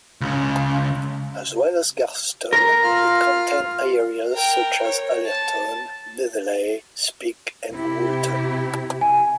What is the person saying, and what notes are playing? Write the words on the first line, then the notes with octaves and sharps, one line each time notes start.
As well as Garston, it contained areas such as Allerton, Netherley, Speke and Woolton.
C#2 C#3
A#4
F4 F5 F6
A#4 G5
C#5
A5
C3 E4 G4
G#5